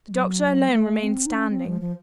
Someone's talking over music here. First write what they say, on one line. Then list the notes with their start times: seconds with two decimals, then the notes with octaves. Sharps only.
The doctor alone remained standing.
0.10 F#3
0.71 A3
1.03 C4
1.26 D#4
1.34 C#4
1.50 C4
1.65 F3
1.81 F3